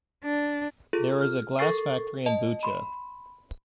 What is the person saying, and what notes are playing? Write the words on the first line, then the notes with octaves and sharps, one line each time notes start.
There is a glass factory in Bucha.
D4
F4 G#4 A4
F6
A4 A#4 C#6 A6 C7
D#5 A5
B5 C6